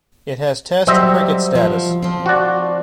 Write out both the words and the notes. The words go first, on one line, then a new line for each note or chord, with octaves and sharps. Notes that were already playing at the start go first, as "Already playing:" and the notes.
It has Test cricket status.
F#3 G3 C4 D#5 E5
F3
F3 C4
F#4 D5